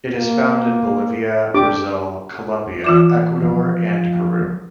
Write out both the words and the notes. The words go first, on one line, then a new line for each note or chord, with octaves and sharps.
It is found in Bolivia, Brazil, Colombia, Ecuador, and Peru.
A#3
D4 G4 D6
E3 F4 D6
F3